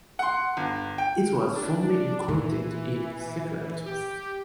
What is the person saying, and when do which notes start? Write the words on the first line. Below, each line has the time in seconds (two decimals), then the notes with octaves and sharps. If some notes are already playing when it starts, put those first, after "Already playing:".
It was formerly included in "Scelotes".
0.19 F#5 C6
0.57 G1
0.98 G5
1.56 D4
2.28 A#2 E3
3.86 G4